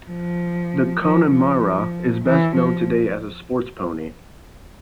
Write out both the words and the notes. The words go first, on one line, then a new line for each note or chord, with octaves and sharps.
The Connemara is best known today as a sports pony.
F3
F3
F3
E3
F3